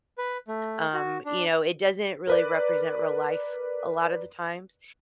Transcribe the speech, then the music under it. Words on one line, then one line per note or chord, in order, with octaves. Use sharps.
Um, you know, it doesn't really represent real life a lotta the times,
B4
A3
F#4
D4
A#4 B4 D5